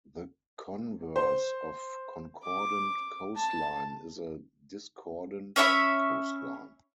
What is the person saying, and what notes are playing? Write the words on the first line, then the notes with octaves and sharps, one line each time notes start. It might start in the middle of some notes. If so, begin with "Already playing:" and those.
The converse of concordant coastline is a discordant coastline.
C5
D6
A5
C#4 C#5 E5 B5